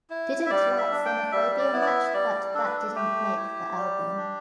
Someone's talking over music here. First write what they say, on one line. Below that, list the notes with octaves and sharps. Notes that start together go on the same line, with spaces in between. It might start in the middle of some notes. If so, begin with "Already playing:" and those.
Didn't like Xenophobia much but that didn't make the album.
E4
E5
G3 D5
E5
D4
G5
G3 E5
D5
B3 E4
D5
E5
G3 D5
D4 A4
B4
A4
A3 G4
E4
G3
D4